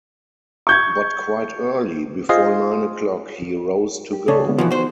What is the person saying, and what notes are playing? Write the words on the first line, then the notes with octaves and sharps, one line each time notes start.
But quite early, before nine o’clock, he rose to go.
C#6 G6 G#6
F4 G#4 C5 D#5 F5
G4
C#3 C#5 D5 A5
D3 G#3 B3
B2 E3 F3 B3 D#4
F#4 C5